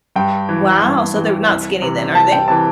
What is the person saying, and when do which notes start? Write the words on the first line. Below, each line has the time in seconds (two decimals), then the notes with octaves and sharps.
Wow, so, they're not skinny then, are they?
0.16 G2 G5
0.49 E3
0.82 G2
1.16 E3
1.48 C2
1.82 C3 E3
2.15 C2 A5
2.32 G5
2.48 C3 E3 A5